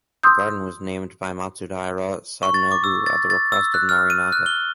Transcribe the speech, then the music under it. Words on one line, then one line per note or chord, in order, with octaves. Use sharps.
The garden was named by Matsudaira Sadanobu at the request of Narinaga.
C6 D#6 E6 G6
C#6
A6
D6
E6
A6
A6
E6
F#6
F6
D#7
F#6
G7